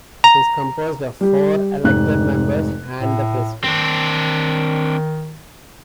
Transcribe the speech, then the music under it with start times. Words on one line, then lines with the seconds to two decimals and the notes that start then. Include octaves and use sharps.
It is composed of four elected members and the President.
0.24 A#5
1.21 G3 G4
1.84 F1 G#2 F#6
3.00 A2
3.64 D#3 C4 D4